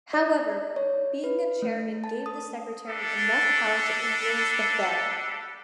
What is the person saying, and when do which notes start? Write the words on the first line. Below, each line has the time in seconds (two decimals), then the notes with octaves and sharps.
However, being a chairman gave the secretary enough power to influence the Fed.
0.13 D5
0.76 C#5
1.24 B4
1.62 A3
2.04 A5
2.26 D#6
2.89 G3 D4 A4